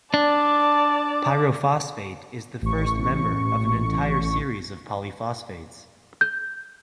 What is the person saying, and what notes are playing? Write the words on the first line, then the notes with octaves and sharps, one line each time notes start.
Pyrophosphate is the first member of an entire series of polyphosphates.
D4 D5 A5
A1 C#6
G6